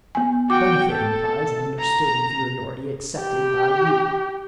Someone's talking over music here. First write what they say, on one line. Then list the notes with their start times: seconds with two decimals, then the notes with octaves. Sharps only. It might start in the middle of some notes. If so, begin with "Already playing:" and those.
A benefit implies an understood inferiority accepted by you.
0.15 B3 G#5
0.50 F#4 G5 D6
0.91 A4
1.80 A#5
3.21 G4